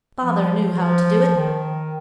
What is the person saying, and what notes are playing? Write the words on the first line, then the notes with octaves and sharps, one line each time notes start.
"Father knew how to do it."
F3
F3
D#3